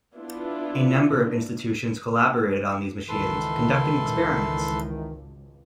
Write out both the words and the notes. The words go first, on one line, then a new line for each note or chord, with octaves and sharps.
A number of institutions collaborated on these machines, conducting experiments.
B3 D4 E4 F4
G#1 C#2 D#3 E3 A4 B4 C6